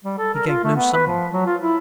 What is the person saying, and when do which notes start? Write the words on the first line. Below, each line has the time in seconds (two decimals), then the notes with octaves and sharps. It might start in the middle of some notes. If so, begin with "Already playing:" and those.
He gave no sign.
0.04 G3
0.18 A4
0.34 A#4
0.47 F4
0.64 A3
0.75 B3
0.93 B4
1.07 F3
1.32 F#3
1.46 F4
1.61 E4